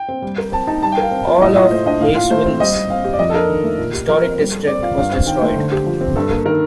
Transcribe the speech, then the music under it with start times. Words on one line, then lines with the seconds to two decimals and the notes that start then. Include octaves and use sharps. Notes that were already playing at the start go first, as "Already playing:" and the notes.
All of Haysville's historic district was destroyed.
Already playing: G5
0.08 C4
0.22 G3
0.38 A#4
0.52 C4 A5
0.67 D#4 A5
0.82 G3 A5
0.92 G5
0.97 A#4 F5
1.11 C4
1.27 F4
1.41 A2 D#5
1.56 F4 D#5
1.71 A3 C5
1.86 D4 D#5
2.01 A2 F5
2.15 F4 F5
2.30 A3 C5
2.46 C4
2.60 G3 D#5
2.74 G3
2.90 C4 F5
3.04 G4
3.13 D5
3.19 F2 D#5
3.30 A4
3.34 D4 A#4
3.49 D#3
3.64 A3
3.79 A#2
3.93 G4
4.08 F3 A#4
4.23 C4
4.38 G3
4.53 A4
4.67 C4 D5
4.82 F4 F5
4.98 G2 F5
5.12 C4 F5
5.26 D#3 G5
5.41 A3 C5
5.56 D3
5.72 G4
5.86 F3
6.01 C4
6.16 G2 A4
6.31 A#3
6.46 D#3 A#4